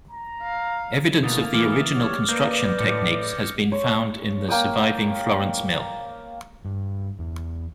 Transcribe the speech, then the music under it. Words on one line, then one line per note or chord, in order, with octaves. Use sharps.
Evidence of the original construction techniques has been found in the surviving Florence Mill.
A#5
F5
B2 A3 A#3 D#6 A6 F7
E3 D6 F6
G3 C#5
A#3 B4 D5 G6 A#6
A2 C#7
C#5
A#3 G5 D#6
G2
E2